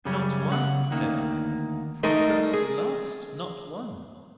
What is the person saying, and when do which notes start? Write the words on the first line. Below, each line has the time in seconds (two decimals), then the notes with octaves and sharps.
"Not one," said I. "From first to last, not one."
0.05 F#2 C#3 G3 C#4
0.51 C#3 F#5
0.91 D2 D#3 A#3
2.03 G#3 A3 D#4 A#4 D#5
2.53 G#4